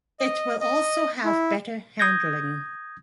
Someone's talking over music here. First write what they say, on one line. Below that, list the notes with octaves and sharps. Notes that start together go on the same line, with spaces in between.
It will also have better handling.
D#5
D#5
E4
D#6 G6 G#6 A#6